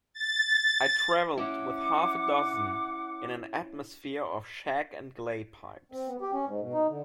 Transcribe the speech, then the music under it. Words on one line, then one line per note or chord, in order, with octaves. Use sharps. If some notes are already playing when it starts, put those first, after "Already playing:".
I travelled with half a dozen in an atmosphere of shag and clay pipes.
A6
C#4 E4 F#5 D6
C4
B3
G4
C#4
G#2
B2
D#4
D3